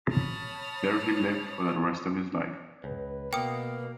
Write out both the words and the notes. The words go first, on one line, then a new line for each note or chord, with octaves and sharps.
There he lived for the rest of his life.
C#5 A5 B5 D#6 F6
C#2 B4
B2 A#3 G5 D#6